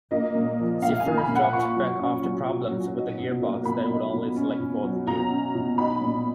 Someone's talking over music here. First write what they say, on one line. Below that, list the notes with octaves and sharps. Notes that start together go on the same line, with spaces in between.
Siffert dropped back after problems with a gearbox that would only select fourth gear.
A#3 D#5
A#2
F3
A#2 F5
G#5
A#3
B5
A#2
F#5
F4 C#6
F#3
C#4
F#3
F4
F#3
D#4
B2
A#3
B2 B5
D#4
B2
C#4
B2
F#3
B2 A#5
C#4
B2
D#4 B5
A#2